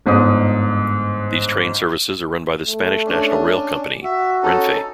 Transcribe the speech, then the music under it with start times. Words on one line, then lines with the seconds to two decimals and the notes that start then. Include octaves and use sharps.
These train services are run by the Spanish national rail company, Renfe.
0.06 G1 G#2 D#4 D#6
2.66 A3
3.06 C#4 D4
4.04 F#4 E5
4.43 C#4 D#4 A4